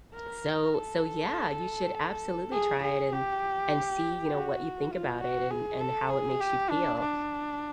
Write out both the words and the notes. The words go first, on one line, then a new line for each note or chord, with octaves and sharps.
so so yeah, you should absolutely try it and and see, you know, what you think about it and and how it makes you feel,
A#4
A4
G#4
G#4
G4
F#4
F4
F#4
G#4
A4
G#4
G4
D4
D4